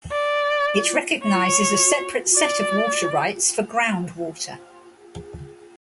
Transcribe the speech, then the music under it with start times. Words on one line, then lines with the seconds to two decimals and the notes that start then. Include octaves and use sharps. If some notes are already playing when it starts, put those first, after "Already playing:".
It recognizes a separate set of water rights for groundwater.
0.12 D5
1.23 C#5
2.36 D5